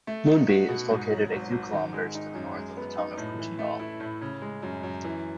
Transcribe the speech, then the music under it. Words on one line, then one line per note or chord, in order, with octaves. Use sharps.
Moonbi is located a few kilometres to the north of the town of Kootingal.
A3
D#4
F#4
B2
G#2
F#3
G#1
G#1
D#3
G#3
D#4
F#2
G#3
B3
D#4
A2
E3
A3
E4
A2
C#3
G#3
F#2
F#2
E3